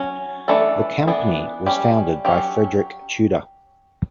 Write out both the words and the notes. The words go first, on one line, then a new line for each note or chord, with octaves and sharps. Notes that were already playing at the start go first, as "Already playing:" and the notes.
The company was founded by Frederic Tudor.
Already playing: F#3 C#4
E3 A3 D4 A4
E3 B3 D4
G3 C#4 G4
F#3 C#4 G4